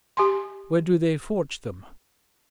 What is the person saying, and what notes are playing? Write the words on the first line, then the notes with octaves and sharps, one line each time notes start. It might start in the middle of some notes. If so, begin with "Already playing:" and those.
Where do they forge them?
G4 G#5 C6